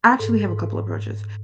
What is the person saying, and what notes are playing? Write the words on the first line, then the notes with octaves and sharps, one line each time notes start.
I actually have a couple of approaches.
G#2 A4
G#2